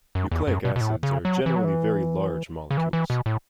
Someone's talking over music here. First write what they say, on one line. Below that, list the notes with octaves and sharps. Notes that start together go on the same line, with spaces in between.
Nucleic acids are generally very large molecules.
F#2
E2
F#2
B2
B2
A2
C#3
F#3
E3
F#3
E3
C#3
E3
E3
B2
A2